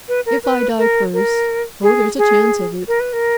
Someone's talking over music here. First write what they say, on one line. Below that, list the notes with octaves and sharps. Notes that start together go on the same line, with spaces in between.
If I die first--oh, there is a chance of it!
B4
A#4
B4
A#4
A#4
G#4
G#4
A#4
B4
A#4